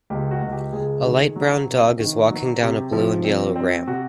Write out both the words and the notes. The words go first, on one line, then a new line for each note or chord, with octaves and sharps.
A light brown dog is walking down a blue and yellow ramp.
C#2 G4
F#4
C#2
G4
C#2 G#4
D#3
F#3
C3
D#3
F#3
C3 G4
F3
C4
C4
C3 F#4